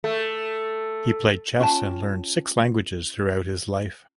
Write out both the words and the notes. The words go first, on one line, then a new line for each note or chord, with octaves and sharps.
He played chess and learned six languages throughout his life.
A3
C#4 F4 G5 A5